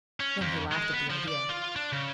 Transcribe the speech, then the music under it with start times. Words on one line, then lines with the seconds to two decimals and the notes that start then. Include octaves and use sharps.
Then he laughed at the idea.
0.20 C#4
0.41 F2
0.72 G#3
0.93 B3
1.10 F3
1.28 D5
1.49 F4
1.76 D4
1.92 C#3